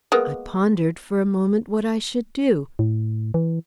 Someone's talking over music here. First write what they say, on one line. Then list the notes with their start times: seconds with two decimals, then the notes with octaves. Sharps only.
I pondered for a moment what I should do!
0.12 G#3 A#3 B3
2.79 A2
3.34 E3